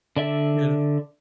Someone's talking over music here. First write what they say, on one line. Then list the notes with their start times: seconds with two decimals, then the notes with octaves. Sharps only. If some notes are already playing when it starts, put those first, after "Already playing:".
You know?
0.17 D3 D5 E5